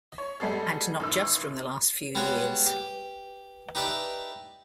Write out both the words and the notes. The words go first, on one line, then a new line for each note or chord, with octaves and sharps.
And not just from the last few years.
C#5
G3 G#3 B3 G#4 A4
A1 D#3 E6
G3 G#3 B3 F#4 C#5 F#5
G4
D#4 G4 B4 D5 E5 A5